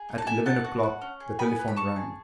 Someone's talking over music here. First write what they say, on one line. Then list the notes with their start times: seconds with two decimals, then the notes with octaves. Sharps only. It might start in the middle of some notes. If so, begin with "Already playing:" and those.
At eleven o'clock the telephone rang.
Already playing: G#4
0.09 D#4
0.18 A5
0.26 A4 E5 G#5
0.45 D#4 F#5 A5
0.64 F#4
0.83 F#4
1.01 C#4
1.20 G#4
1.39 B3 G#5 B5
1.59 B3
1.68 B5
1.76 D#4 A5 C#6
1.96 G#4